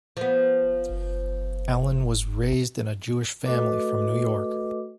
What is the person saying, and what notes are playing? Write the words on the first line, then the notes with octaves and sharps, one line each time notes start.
Ellin was raised in a Jewish family from New York.
F3 B3
A3 F#4 A4 B4 D#5 D6